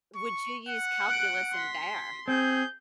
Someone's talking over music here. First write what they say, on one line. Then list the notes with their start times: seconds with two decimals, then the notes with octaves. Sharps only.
would you use calculus in there?
0.15 C#6
0.68 F#5
1.09 F#6 D7
1.54 C6 B6
2.28 C4 G#4 G6